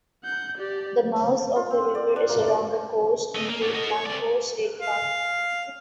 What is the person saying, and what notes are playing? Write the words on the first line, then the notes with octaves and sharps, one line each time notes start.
The mouth of the river is along the coast in Cape Blanco State Park.
F#5 G6
G4 D5
F4
C4
D5
D4
A#3
D5
A3 D#5
A#3
F#3 D4
F#4 D#5
C#5
C3 D5
F5